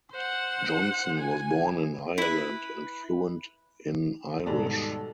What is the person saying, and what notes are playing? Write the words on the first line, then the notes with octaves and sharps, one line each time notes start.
Johnson was born in Ireland and fluent in Irish.
C5 F#5
G#5
E4 B4
D#2 G#2 B2 G3 A4 D5 A5